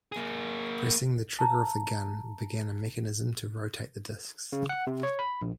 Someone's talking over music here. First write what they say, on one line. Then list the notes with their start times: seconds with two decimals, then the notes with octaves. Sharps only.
Pressing the trigger of the gun began a mechanism to rotate the discs.
0.12 A#3 G#4
1.39 A5 A#5
4.53 C#3
4.69 F#5
4.87 C3
5.03 C#5
5.19 B5
5.42 A#1